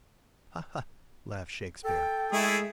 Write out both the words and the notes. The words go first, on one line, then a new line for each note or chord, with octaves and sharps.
"Ha-ha!" laughed Shakespeare.
A4 G5
G#3 A3 E4 G#4